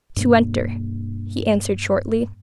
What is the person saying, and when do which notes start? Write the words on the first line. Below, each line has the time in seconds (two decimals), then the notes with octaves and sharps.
'To enter,' he answered shortly.
0.16 G2 B2 A#3